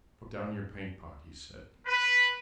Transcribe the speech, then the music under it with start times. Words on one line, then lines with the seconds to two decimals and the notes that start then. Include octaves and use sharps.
"Put down your paint pot," he said.
1.86 B4